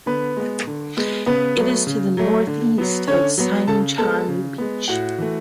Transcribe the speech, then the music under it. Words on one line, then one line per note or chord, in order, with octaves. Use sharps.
It is to the northeast of Saeng Chan beach.
D3 B3 B4
G#3 B3
D3
G#3 B3
C#3 B3 B4
F#3 A3
C#3
F#3 A3
D3
F#3 B3
D3 C#4 C#5
F#3 B3
C#3 A4 A5
G#3 B3 A4 A5
C#3
G#3 B3
A2 F#4 F#5
E3 A3